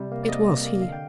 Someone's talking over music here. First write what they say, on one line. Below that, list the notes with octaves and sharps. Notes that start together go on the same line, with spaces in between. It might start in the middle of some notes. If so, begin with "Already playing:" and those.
It was he.
Already playing: C3 G3
A#3
D5
C3 D#5
A#3
A#3
D3 F5
G5